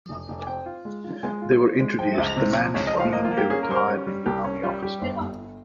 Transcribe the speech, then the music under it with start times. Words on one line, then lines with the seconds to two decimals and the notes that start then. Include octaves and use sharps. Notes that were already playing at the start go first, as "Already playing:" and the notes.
They were introduced, the man being a retired Indian army officer.
0.09 F1
0.28 F1
0.42 G#5
0.47 C4 G5
0.66 F4
0.85 G#3
1.04 F4
1.23 G#3 G#5
1.42 F4
1.61 C4
1.80 G#3
1.99 F3 G5
2.18 C#2
2.37 C3
2.56 F3
2.74 C#2 C#5
2.87 D#5
2.93 F3
3.00 F5
3.12 A#3 D#5
3.24 F4
3.31 A#3
3.37 G4
3.50 C#4 G#4
3.63 A#4
3.69 G3 C5
3.75 A#4
3.88 C#4
4.07 G3
4.26 C2 G4
4.44 C#4
4.63 G3 F4
4.83 G3 G4
5.02 G1
5.20 G1